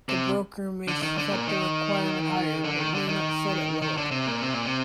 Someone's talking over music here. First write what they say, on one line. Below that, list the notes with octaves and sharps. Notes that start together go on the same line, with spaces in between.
The broker may set the requirement higher, but may not set it lower.
C3
D3
D#3
D3
A#2
D#3
D3
D#3
D3
D#3
D#3
D3
C3
A#2
C3
A#2
C3